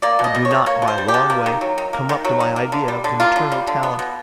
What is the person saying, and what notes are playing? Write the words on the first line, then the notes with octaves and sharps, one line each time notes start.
They do not by a long way come up to my idea of the maternal talent.
A#3 D5
B2
D#5
G3
C#5
B2
A#3 C#5
B2
C5
G3
G4
B2
A#3
D#3
F#3
D#3
A#3
D#3
F#3
D#3
A#3
D3
G3
D3
A#3 F4
D3
G3
D3
B3
B2